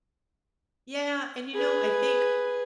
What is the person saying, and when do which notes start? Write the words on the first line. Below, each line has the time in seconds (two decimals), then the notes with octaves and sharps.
Yeah, and, you know, I think,
1.54 G#4 B4